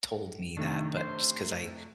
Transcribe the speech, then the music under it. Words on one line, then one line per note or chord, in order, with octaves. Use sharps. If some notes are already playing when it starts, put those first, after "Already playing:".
told me that, but just 'cause I
C3 D#3 A3 D4
C5